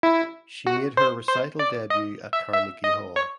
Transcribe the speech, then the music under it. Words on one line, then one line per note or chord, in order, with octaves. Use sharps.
She made her recital debut at Carnegie Hall.
E4
F#4
C5
C5
D5
D#5
E5
E5
D#5
C#5